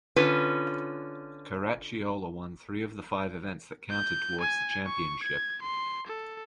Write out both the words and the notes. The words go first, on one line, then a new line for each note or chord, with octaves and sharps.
Caracciola won three of the five events that counted towards the championship.
D3 C#4 F4 B4
G6
G#5
C#6
G#6
C6
A4